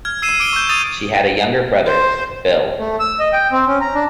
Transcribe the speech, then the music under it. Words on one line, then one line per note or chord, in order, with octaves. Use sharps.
She had a younger brother, Bill.
F6 G#6
E6 C7 D#7 E7
D6 D7 G7
C#6 G6
D#6 A6 D#7 F7
C5
A3
E6
D#5
G5
C4
C#4
A#5
D4